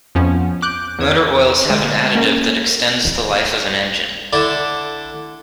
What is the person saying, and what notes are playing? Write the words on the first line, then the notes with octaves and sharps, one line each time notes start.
Motor oils have an additive that extends the life of an Engine.
F2 F3 B3 C#4
D6 F#6 G6 D7
E2 G#6
D3 G#3
A#3 C#4 A#4
D3 D4 E4